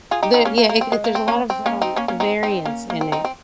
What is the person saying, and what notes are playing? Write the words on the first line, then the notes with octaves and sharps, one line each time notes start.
There yeah, it it there's a lot of, um, variance in it,
F4 G#4
D#4 G4
C4 D#4
A#3 C#4
A#3
A#3
C4
G#3
A#3
C4
A#3 C#4
C4
A#3 C#4
C4 D#4
A#3 C#4
A#3 C#4
C4 D#4
C4 D#4
A#3 C#4
A#3
C4
C4 D#4
C4